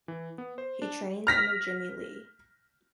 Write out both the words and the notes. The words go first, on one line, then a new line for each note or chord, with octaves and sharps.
He trained under Jimmie Lee.
E3
B3
C5
D4
F6 A#6 B6